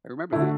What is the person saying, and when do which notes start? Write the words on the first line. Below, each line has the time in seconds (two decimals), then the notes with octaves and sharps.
I remember that.
0.32 D3 A3 E4
0.41 F#4